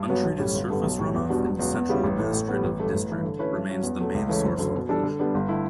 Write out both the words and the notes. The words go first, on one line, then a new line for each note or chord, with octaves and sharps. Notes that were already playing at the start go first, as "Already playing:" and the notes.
Untreated surface runoff in the Central Administrative District remains the main source of pollution.
Already playing: G2
F#3 B3 F#4 C#5
B1
A2 G3 C#4
G1
G2 D3 G3 B3
B1
A2 G3
E2
B2 G3 D4 F#4
E1
E2 C#3 F#3
E2
C#3 G3 B3 E4
A1
A2 E3 A3
A2
B3
G3
A1
G2 D3 A3
A1
G2 E3
D3
A3 C#4 E4 B4
G2
F#3 C#4
E2
B2 F#3 A3
C#2
C#3 E3 A3 C#4
F#1
F#2 D3
B2
G3 D4 A4
D3
G3 B3 D4
G1
D3 A3 E4